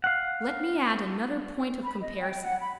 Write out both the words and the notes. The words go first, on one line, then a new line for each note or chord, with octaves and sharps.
Let me add another point of comparison.
F5 F#5
B5
D#5
G5
F#5
B5